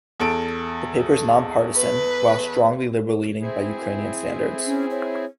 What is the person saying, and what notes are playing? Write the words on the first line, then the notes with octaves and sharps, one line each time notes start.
The paper is non-partisan, while strongly liberal-leaning by Ukrainian standards.
E2 A4 D7
B4
C4 E4 G#4
C#4
C#5